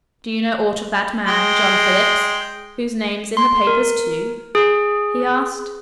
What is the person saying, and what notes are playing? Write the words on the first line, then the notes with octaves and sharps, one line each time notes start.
"Do you know aught of that man, John Phillips, whose name's in the papers too?" he asked.
G#3 G5 C6
C6
A#4
G#4